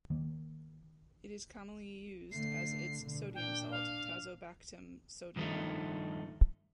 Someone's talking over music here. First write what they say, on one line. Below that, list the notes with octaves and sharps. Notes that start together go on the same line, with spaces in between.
It is commonly used as its sodium salt, tazobactam sodium.
D#3 A#3
D3 A3 C7
B2 D3
A#2 D4 G5
F5
G2 D#3 F3 A3 D#4